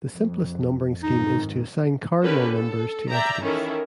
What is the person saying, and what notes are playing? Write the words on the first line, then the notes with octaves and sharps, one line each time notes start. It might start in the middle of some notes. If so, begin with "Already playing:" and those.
The simplest numbering scheme is to assign cardinal numbers to entities.
F2
F2 G#2 D#3 D#4
D3 C#4 G4 A#4 B4
A4
D5 E5 G5 A#5
D#3 E3 C#4 E4 A4 A#4